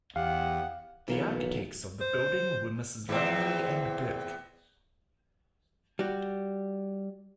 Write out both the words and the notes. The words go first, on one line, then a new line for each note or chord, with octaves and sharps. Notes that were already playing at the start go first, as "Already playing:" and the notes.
The architects of the building were Messrs. Langley and Burke.
E2 G4 F5 F#5
B1 E3 A#3 B3
C5
E2 A2 C4
G3 F#4